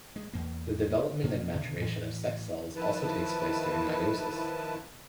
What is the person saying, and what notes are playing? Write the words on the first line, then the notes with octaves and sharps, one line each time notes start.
The development and maturation of sex cells also takes place during meiosis.
G#3
E2 A#3
B2 A#3 C#4
B2 D3 D#3
A2 E3
D#3 F3 E4 B4 A5